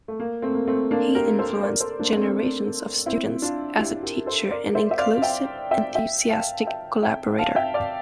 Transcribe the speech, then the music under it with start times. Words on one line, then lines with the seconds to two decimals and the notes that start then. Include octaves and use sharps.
He influenced generations of students as a teacher and inclusive, enthusiastic collaborator.
0.08 A3
0.20 A#3
0.42 A3 C4
0.55 A#3
0.68 A3 C4
0.91 A#3 D4
1.15 G4 A#4
1.39 A4 C5
1.62 A#4 D5
1.80 A4 C5
1.99 A#3 D4
2.16 A3 C4
3.06 C4 E4
3.42 D4 F4
3.79 E4 G4
4.03 G4 A#4
4.26 A4 C5
4.51 A#4 D5
4.75 C5 E5
4.91 E5
4.99 D5 F5
5.22 E5 G5
5.71 E5 G5
5.95 E5 G5
6.30 F5 A5
6.67 E5 G5
7.03 E5 G5
7.39 F5 A5
7.56 E5 G5
7.74 D5 F5